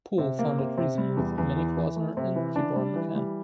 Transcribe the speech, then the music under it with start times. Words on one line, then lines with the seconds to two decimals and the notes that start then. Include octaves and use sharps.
Poole founded Reason with Manny Klausner and Tibor Machan.
0.18 C3
0.39 A#3
0.58 C3
0.78 C3
0.98 G3
1.17 E2
1.38 E2
1.57 E3
1.77 E3
1.96 A3
2.17 C3
2.36 E3
2.56 D4
2.76 G3
2.96 E3
3.15 G3